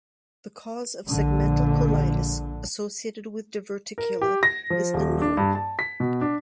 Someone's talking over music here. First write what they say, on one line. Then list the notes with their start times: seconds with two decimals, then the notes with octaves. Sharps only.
The cause of segmental colitis associated with diverticula is unknown.
1.08 A#1 D3
3.98 A#4
4.22 G4
4.43 A#6
4.70 F3
4.94 D#1
5.22 D4
5.37 G2
5.55 A5
5.79 B6
6.00 B2
6.21 D4